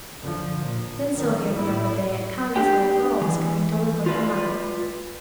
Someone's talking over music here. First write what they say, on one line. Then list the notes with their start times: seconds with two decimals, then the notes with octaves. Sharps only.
Then Sylvia remembered that Aunt Connie's little girl was coming to live with her mother.
0.21 D3 F3
0.60 A#2
1.14 D#3 F3
1.54 A2 E4
2.56 D4 G4 G5
3.22 E3
4.06 F4 B4 D5